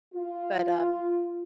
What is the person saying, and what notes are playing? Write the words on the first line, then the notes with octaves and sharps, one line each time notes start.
but, um
F4